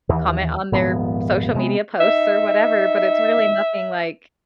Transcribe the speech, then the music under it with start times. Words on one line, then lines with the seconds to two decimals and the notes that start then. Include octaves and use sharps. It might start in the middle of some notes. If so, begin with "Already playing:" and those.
comment on their social media posts or whatever, but it's really nothing, like,
0.09 D#2 E3
0.72 D#1 G#2 F3 B3
1.55 C3 G#3 A#3 B3
2.01 D#4 E5